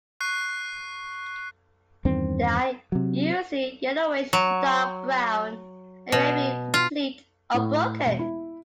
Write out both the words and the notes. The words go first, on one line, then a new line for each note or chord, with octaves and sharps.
They are usually yellowish to dark-brown, and may be complete or broken.
C#6 F#6 C7
E2 G2 D#3 C4
C3 F#3
F#3
B2
F4
A2
E1
E4